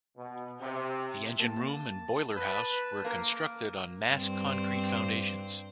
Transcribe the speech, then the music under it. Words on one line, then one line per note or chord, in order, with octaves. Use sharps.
The engine room and boiler house were constructed on mass concrete foundations.
B2
C3
A#3 A5
B4
A#3 A#4
G2 C4 C5